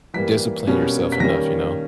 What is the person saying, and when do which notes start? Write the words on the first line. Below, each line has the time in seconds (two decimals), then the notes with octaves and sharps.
discipline yourself enough, you know?
0.14 E3 G3 A#3 B6
0.67 B2 G3 A#3 C#4
1.12 B6
1.20 D#3 G3 A#3 C#4 A#6